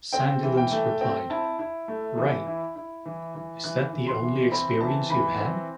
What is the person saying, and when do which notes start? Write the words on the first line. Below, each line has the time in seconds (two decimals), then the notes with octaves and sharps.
Sandilands replied: Right... is that the only experience you've had?
0.13 C4 G5
0.43 E3
0.57 G5
0.71 A3
1.01 C4 G5
1.30 E4 A5
1.59 E4
1.88 A3
2.17 E3
2.47 E4
2.76 E4
3.05 E3
3.35 E3
3.64 E3 F#6
3.93 E3
4.07 C6
4.22 E3
4.52 C4 B5
4.81 E3 A5
5.10 E3 B5
5.40 C4